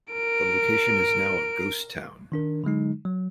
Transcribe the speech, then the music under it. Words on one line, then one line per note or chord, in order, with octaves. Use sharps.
The location is now a ghost town.
A#4 D7
D#3 D4 A#4
D3 F#3 G#3 D#4
F#3